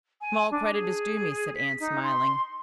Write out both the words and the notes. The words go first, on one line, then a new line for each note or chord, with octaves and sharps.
"Small credit is due me," said Anne, smiling.
G#5
D4
G#4
B6
D#4
C6